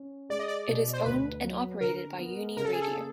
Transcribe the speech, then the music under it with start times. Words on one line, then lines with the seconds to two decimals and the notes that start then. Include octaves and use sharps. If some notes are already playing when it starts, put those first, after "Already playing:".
It is owned and operated by Uniradio.
Already playing: C#4
0.29 G#3 D5
0.39 D#5
0.48 D5
0.68 B2
0.93 C5
1.05 D2 B4
1.44 F#3
1.81 D3 A#4
2.19 B3
2.56 C#3 A#4
2.65 A4
2.73 G#4
2.82 A4
2.95 A#3